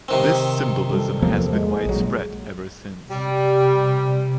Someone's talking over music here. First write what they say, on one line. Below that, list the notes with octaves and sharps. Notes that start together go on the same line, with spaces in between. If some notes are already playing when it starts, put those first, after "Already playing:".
This symbolism has been widespread ever since.
C3 D#3 C4
G3 A4
E2 F3 A#3
G#3
A#1 F#3
C3 G3